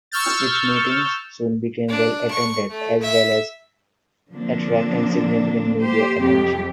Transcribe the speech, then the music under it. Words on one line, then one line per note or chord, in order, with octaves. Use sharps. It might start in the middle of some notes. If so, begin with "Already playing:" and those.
Its meetings soon became well attended, as well as attracting significant media attention.
C#6 E6 F6 G6 A6
D4
C#6
A3
E5
D3 F3 A#3 C4 D4
A#3 G4 C5
F2 C3 G4